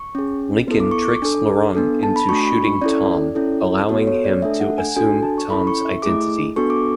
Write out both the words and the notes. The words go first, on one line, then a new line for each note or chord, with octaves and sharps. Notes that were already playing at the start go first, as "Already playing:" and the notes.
Lincoln tricks Laurent into shooting Tom, allowing him to assume Tom's identity.
Already playing: C#6
C#4 G#4
B3 E4 A4
D6
C#6
D6
D4 A4
B3 D4 A4
A5
B5
A3 D4 F#4 C#6
B5
C#6
C#4 E4 A4 D5
C#4 E4 A4
B3 F#4 A4 C#5
C#5
D5
A3 D4 A4 E5
F#5
G#5
D4 F#4 A4 G#5
A5
C#6
C#4 E4 A4 B5
C#6
E5
A3 E4 G#4 D6
B3 D4 F#4 A4 C#6
D6